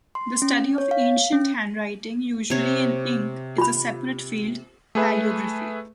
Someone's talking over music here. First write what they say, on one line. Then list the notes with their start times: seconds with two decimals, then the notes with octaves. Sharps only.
The study of ancient handwriting, usually in ink, is a separate field, palaeography.
0.15 C6
0.42 C#4
0.78 C#5
0.91 F5
1.32 C#4
2.50 C3 C#5
3.58 F4 B5
4.95 A3 G#4 B4 E5